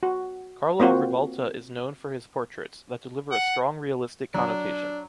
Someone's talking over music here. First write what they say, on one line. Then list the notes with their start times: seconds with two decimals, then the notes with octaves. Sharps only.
Carlo Rivalta is known for his portraits, that deliver a strong realistic connotation.
0.03 F#4
0.80 A#3 C4 F4 F#4
3.31 F#5
4.34 F#3 D4